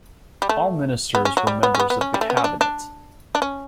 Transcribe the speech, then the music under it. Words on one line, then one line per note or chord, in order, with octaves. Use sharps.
All ministers were members of the Cabinet.
G3
A3
B3
C#4
F#3
G3
B3
C#4
B3
B3
C#4
G3
A3
B3
C#4
D4
D4
D4
C#4